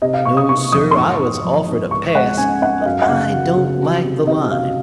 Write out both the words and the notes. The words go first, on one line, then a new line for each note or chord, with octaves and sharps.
No, sir; I was offered a pass, but I don't like the line.
C3 D#5
F5
C3 C#6
D#6
C3 C#6
F2 D#6
C6
G#2 C#6
G#2
F3
G#2
C#2 C#6
G#3 F#5
C#4 G#5
C#4 F#5
D#5
F#2 F5
F#5
C#3 F5
F#3
C#3
F#3
C3
C3 D#5
F#3 F5